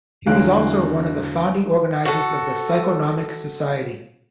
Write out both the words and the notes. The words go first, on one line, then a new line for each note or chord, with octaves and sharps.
He was also one of the founding organizers of the Psychonomic Society.
E2 D3 F#3 F5 F#6 D7
F#4 A4